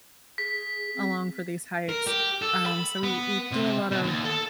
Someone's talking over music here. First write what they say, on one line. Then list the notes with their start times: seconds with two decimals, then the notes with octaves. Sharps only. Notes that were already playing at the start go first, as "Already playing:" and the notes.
along for these hikes, um, so we we do a lot of,
0.38 G#4 B6
0.95 C4
1.89 A#4
2.07 G4
2.42 A4
2.66 B5
3.03 B3
3.52 C3
3.91 B2
4.03 D#2
4.25 A4